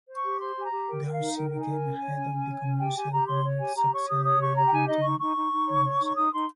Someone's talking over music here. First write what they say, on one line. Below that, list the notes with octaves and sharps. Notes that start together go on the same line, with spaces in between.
There she became head of the commercial economic section of the Argentine embassy.
C5
C#6
G4
C5 C6
G4 G#5
A#5
G4
A#4 G5
A#4
F5
D#4
A#4 G5
D#4 G5
G#5
A#4
C#4
C#5
C#4
C#4
C#5
C#4
G4 G5
G4 G#5
G4 A#5
C#5 C6
C#5
G4 G#5
G4 A#5
C#5 C#6
G4 D#6
C#5 D#6
G4 C#6
G4 A#5
G5
D#4 G#5
D#4 D#5
D#4 C#6
D#4 C#6
D#4
D#4
C#5
C#5
D#4
C#6
D#4 D#6
D#4 C6